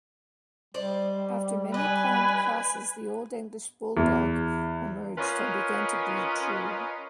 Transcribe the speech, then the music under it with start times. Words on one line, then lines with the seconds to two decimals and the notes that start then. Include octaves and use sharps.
After many planned crosses, the Olde English Bulldogge emerged and began to breed true.
0.74 G3 C5 D5 D#5
1.74 B4 D#5 G#5
3.97 E2
5.18 C#4 F4 A#4 B4 C#5 D#5